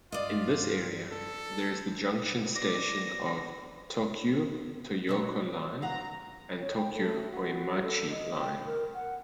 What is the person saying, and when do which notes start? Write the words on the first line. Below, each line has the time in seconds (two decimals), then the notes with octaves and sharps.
In this area, there is the junction station of Tokyu Toyoko Line and Tokyu Oimachi Line.
0.12 G2 F4 D5 D#5
1.12 A4
2.55 D4 C5 D5 A#6
5.07 B2 F#3 C#5
5.82 F5 F#5 A#5
6.58 C#5
6.77 G5
6.94 A3
7.31 F#4
7.83 A4
8.10 D#5
8.39 G5
8.66 A#4
8.95 F#5